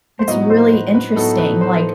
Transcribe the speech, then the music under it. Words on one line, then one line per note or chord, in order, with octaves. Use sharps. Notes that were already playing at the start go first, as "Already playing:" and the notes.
It's really interesting, like,
C5
A2 F#3 B3 D#4 D#5
C5
B4
B4
A2 F#3 B3 D#4 A4
B4
C5